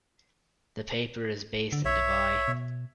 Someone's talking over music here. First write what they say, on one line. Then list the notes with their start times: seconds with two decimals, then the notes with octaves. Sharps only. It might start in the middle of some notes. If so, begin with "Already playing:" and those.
The paper is based in Dubai.
1.72 D3
1.85 B1 C#5 E5
2.48 B2